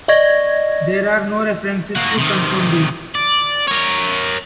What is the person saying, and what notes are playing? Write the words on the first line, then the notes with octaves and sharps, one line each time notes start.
There are no references to confirm this.
D5 D#5 C#6 G#6 A#6
A#3 F#4
C3 D#3
D5
A#4 C#5